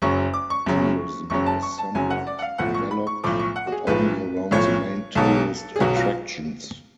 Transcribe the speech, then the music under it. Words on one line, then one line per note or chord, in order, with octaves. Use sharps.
Tourism is somewhat developed, but only around the main tourist attractions.
F#1 F#2 C#3 F#3 C#6
D6
C#6
F#1 F#2 C#3 F#3
F#1 F#2 C#3 F#3 C#6
A5
C#6
A5
F#1 F#2 C#3 F#3 G#5
F#5
D5
F#5
F5
B1 A2 F3 F#5
C#6
B5
C#6
B1 A2 F3 D6
C#6
F#5
F#4
G#4
B1 A2 F3 B4
B1 A2 F3 C#5
B1 B2 F#3 A4
G#4
B1 B2 F#3 F#4
F4